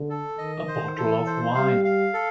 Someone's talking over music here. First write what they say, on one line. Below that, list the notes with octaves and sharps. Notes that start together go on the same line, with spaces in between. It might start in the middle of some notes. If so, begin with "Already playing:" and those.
A bottle of wine.
Already playing: D3
A4
D#3 D#5
C5
E3 A4
C5
G3 F5
F5
A4